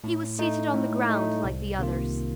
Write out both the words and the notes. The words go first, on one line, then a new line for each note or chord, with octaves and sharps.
He was seated on the ground like the others.
A2
A3 D#4
A2
A3 D#4
C2
C3 D#3 A#3 F4